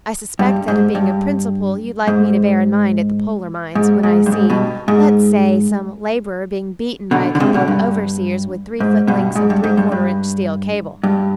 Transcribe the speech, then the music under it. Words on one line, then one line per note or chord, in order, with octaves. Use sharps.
"I suspect that of being a principle you'd like me to bear in mind at the polar mines, when I see, let's say, some laborer being beaten by a couple of overseers with three foot lengths of three-quarter-inch steel cable."
G2
G#2
G2
G#2
G#2
G#2
G2
G#2
G2 B2
G#2
B2 D3
D3
G#2 C3
B2 D3
G2
G#2
G2 B2
G#2
G2
G#2
G2
G2
G2